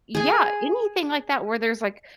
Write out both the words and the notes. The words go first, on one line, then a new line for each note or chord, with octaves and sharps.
yeah, anything like that where there's like,
G#4 G#5